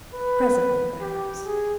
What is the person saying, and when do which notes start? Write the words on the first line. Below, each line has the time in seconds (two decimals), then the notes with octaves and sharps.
Presently, perhaps.'
0.14 B4
1.01 G4
1.46 G#4